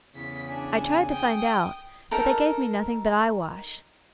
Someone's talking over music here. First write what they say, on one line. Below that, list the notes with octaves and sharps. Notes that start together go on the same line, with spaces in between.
I tried to find out, but they gave me nothing but eyewash.
E2 C#3 B6
D4 G#5
G5 D#6
D#4 A4 A#4